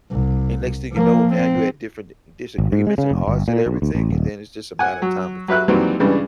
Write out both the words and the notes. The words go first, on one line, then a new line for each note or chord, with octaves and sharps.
and next thing you know, now you had different disagreements and odds and everything, and then it's just a matter of time before the
C2
F3 A#3
C4
G#1
G#2
G#3
C#3
F1
G1
A#2
B1
D2
A1
D#1
F#5 G#5
F#3
F#3 B4 E5 F#6
D#3 E3 F#3 G3 A#3 C4
G2 C#3 E3 G3 G#3